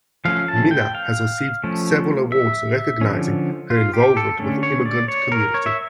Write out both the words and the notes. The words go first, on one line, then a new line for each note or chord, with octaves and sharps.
Minna has received several awards recognizing her involvement with the immigrant community.
F3 A3 C#4 F5
A5
G5
F5
F3 A3 C#4
E5
D3 F3 C#4
F4
G4
A4
D3 A3 C#4
C#5
D5
C#5
A#4
C#5
E5